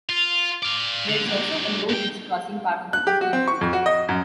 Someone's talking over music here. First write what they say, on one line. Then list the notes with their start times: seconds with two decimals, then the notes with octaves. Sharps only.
There is also a low ridge crossing part of the eastern floor.
0.09 F4
0.63 D5 F5
1.09 D3
1.28 F#3 D4
1.89 G2 G5
2.93 F#6
3.07 G4
3.21 F#4
3.33 C4
3.48 C#6
3.61 F2
3.73 F#4
3.86 D#5
4.09 F#2